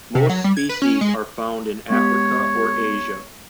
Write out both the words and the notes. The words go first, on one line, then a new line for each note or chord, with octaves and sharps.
Most species are found in Africa or Asia.
C3
F#3
G3
G#6
B4
C#4
G#3
G#3 B3 G4 C#5